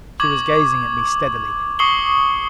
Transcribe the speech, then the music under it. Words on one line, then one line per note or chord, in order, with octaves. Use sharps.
She was gazing at me steadily.
C#6 D6 G#6 F#7
C#6 D#6 C7 C#7 F#7 G7